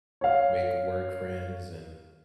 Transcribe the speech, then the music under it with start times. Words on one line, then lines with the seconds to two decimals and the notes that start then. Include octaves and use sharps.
make work friends, and
0.21 C#5 F5